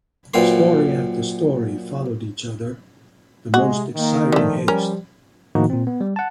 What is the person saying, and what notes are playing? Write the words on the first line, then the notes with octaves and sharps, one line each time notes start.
Story after story followed each other with the most exciting haste.
F#2 A#2 C4 B4 C6
C3 G#3 F#4
D#3 A#3
D3 F3 A3
G3 C#4 A#4
A2 D#3 F3 A#3 D#4 F#4
A#2 C4
B3
G3
F#5 A5